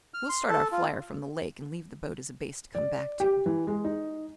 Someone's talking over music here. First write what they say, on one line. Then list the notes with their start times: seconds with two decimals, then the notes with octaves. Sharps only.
"We'll start our flier from the lake and leave the boat as a base to come back to."
0.14 F6
0.29 C6
0.49 A4
0.72 F4
2.75 D5
3.20 G4
3.46 E3
3.67 G#3
3.85 D#4